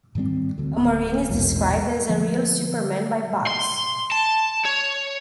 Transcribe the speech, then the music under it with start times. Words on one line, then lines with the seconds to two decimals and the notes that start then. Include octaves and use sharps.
A Marine is described as "a real superman" by Bugs.
0.15 G#2 D#3 G3 C4
0.58 D2 D3
0.74 D1
1.29 A#1 E2 G#2 B2
2.09 D3 F3 A#3
3.47 C6
4.12 A5
4.65 C#5